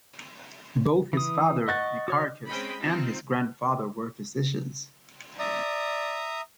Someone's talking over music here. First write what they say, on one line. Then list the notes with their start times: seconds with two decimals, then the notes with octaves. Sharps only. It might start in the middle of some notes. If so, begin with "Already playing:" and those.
Both his father, Nicarchus, and his grandfather were physicians.
1.13 E3 D#6
1.68 D#5 F#5 C#6 F#6 A6
2.08 F#4 C#5 F6
2.46 G#3 C4 C#4 D#5 G5 B5
2.80 C4 D#4 F4
5.39 D5 E5 A#5 D#6